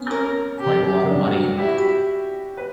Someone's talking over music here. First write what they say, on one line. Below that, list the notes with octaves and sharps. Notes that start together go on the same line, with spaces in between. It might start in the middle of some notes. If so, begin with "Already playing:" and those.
Quite a lot of money.
Already playing: B3 C#4
C#4 A#4
G4
D4
F#4
E4 G4
F#4
G4
B4